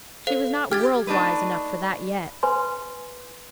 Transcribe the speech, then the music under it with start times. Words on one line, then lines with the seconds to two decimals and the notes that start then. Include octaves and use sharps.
She was not world-wise enough for that yet.
0.27 A4 C5 F5
0.71 G4 F6 G#6 A6
1.07 A3 D4 D#4 B4
2.43 B4 G#5 C6